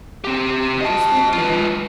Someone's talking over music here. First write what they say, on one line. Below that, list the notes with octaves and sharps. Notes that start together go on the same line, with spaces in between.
"Did you speak to him?"
C4 G4
D#5 A5
F4 B4